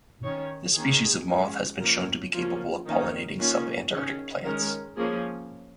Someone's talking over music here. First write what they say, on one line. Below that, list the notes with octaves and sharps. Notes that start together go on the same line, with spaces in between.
This species of moth has been shown to be capable of pollinating subantarctic plants.
D#3 C#4 C#5
D#3 A#3 C#4 G#4
F3 G#3 C#4
F3 A#3 C#4 A#4
F3 A#3 C#4 F4
D#3 A#3 C#4 D#4
D#3 A#3 C#4 F4
D#3 C#4 G#4
D#3 G#3 C#4 A#4
F3 A#3 C#4 G#4